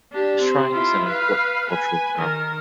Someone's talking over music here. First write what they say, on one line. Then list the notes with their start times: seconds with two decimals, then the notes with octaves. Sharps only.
The shrine is an Important Cultural Property.
0.12 D4 G4
0.41 C4
0.73 E4 F4
1.07 B4 F5
1.67 B4 G#5
2.18 D#3 A#4